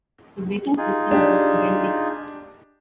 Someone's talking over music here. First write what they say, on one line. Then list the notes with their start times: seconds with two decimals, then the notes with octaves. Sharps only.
The braking system was Bendix.
0.77 D#4 F4 G#4
1.11 D4 G4